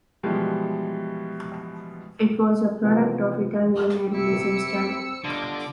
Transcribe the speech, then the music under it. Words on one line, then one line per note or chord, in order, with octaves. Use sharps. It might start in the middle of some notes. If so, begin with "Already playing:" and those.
It was a product of the Italian neorealism style.
B2 E3 F3 G3 G#3
C3 E3 F3 B3 D#4 F4
C3 E4 E5 D6 E6 C#7
C4
G1 D3 F4 D#5 C6 D6